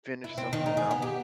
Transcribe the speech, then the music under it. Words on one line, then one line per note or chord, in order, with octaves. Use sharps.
finish something up
E4
C4
D#3
D#4
G#4
B3
G4